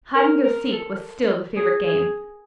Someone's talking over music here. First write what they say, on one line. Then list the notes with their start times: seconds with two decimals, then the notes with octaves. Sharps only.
Hide-and-go-seek was still the favorite game.
0.15 A#4
0.43 A#4
0.72 A4
1.56 G#4
1.83 G#4